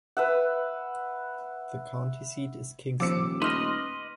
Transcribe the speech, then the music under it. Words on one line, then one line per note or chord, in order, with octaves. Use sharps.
The county seat is Kingston.
B4 E5 F#5
D#1 F3 C5 D6 E6 C#7
A3 D#4 B4 D#5 C6 F6 A#6 E7